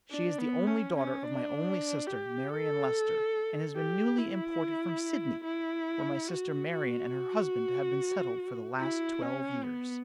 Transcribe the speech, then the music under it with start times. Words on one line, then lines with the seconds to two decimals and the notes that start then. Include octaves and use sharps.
She is the only daughter of my only sister, Marian Lester, and has been newly imported from Sydney, where my sister Marian and her husband have been settled for the last twelve years.
0.11 D4
0.39 B3
0.67 C#4
0.95 C#4
1.23 D4
2.07 G4
2.49 A4
3.75 G4
4.17 E4
5.43 E4
6.28 F#4
6.70 F#4
8.80 E4
9.22 C#4
9.64 B3